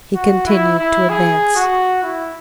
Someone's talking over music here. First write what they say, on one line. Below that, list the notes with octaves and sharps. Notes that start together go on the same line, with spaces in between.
He continued to advance.
F#4
E4
E4
G#4
F#4
E4